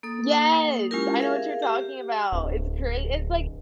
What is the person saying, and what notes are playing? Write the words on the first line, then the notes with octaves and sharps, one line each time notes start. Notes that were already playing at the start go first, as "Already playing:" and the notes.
Yes! I know what you're talking about. It's great it's, like
A#3 A4 D#6
G#3 C#4 E4 F4 G4 A#4
G#4 A#4 E5 F5
G4
D1